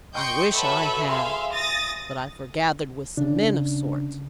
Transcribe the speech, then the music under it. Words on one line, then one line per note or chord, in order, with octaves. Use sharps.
'I wish I had; but I forgathered with some men of sorts.
D#5 G5 C6 C#6 G6 C#7
F#4 A4 B4 C#5 E5 B5
G#4 E5 F5 C6
D#6 A6 A#6
C#3 D4